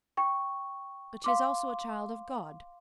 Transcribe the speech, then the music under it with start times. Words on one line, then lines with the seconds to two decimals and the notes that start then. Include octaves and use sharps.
But she is also a child of God.
0.17 G5 C#6
1.24 F5 C6 D6